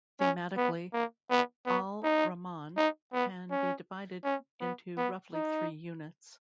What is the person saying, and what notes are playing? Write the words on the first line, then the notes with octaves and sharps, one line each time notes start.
Thematically, Al-Rahman can be divided into roughly three units.
C#4
B3
A#3
B3
B3
D#4
D#4
B3
C#4
C#4
B3
B3
D#4